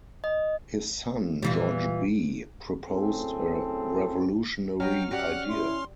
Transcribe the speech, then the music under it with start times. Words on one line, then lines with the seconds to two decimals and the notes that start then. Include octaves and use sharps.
His son George B proposed a revolutionary idea.
0.24 D#5
1.43 A#2 E3 G3
2.89 F#2 A2 C4 G#4 A4
4.80 F#3 C#4 D#5 G5 F6
5.11 F#4 G4 D5 F#5
5.49 E4 C6